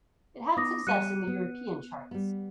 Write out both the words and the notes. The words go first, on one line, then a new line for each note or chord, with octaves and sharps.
It had success in the European charts.
B3 D#4 D6 D#6 A#6
G3 F#6 C#7 D#7
B3
G3 B3